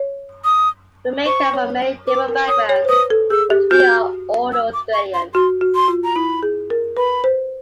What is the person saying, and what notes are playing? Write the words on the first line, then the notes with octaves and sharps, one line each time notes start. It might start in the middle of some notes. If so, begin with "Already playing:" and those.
We may come from many different backgrounds but we are all Australians.
Already playing: C#5
D#6
C5 C#6
C#5
B4 D6
A#4
C#5 D#6
C#5
C5
B4 D#6
A4
G#4 E6
G4
F#4 G6
E6
D6
C#6
C6
F#4 C6
F#4
C6
F4
A#5
E4 B5
G#4
A#4
B4 B5
C5